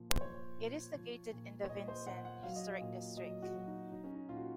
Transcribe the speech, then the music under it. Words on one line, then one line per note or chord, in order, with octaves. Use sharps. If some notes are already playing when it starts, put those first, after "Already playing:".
It is located in the Vincennes Historic District.
Already playing: A#2 F3
C5
F3 C#5
A#2
F3
A#2
C#5
A#2 D#5
C5
A#2 F#5
F#5
F#3 F5
D#5
F5
A#2
F#3 D#5
F#4
F#3
D#4
F#3 D#4
C#4
D#4
A#2 F4
F#4